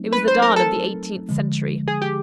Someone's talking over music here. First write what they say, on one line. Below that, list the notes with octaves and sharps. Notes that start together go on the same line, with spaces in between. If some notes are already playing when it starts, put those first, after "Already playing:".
It was the dawn of the eighteenth century.
Already playing: F#3 A3 C4 D#4
B4
C5
A#4
A4
D3 F3 G#3
G#4
G4